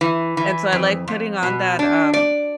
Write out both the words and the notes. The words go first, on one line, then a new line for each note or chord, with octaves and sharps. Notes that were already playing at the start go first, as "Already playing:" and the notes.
And so, I like putting on that, um,
E3
E3
F2
F2
B2
D4
D5